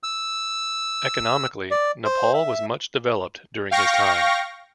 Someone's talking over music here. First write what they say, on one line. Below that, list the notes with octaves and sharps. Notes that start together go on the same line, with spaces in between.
Economically, Nepal was much developed during his time.
E6
D5
C5
E5
F5 G5 C#6 A#6